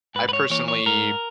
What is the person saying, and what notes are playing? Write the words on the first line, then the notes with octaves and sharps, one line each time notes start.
I personally
G#2 B4
B4
C#5
E3 A#3 C#5
C#5
G#2 A#4